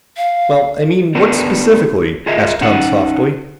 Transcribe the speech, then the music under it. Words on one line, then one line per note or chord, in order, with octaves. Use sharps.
"Well--I mean--what specifically?" asked Tom softly.
F5
B3 D4 G4 A#4 B4
F4 G#4 A#4 D#5 E5
C#4 D#4 F#5